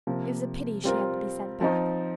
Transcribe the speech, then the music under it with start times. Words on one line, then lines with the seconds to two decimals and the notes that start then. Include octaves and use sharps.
It was a pity she had to be sent back.
0.07 C3 F3 A#3
0.84 G3 C4 F4 A#4
1.61 F3 C4 D#4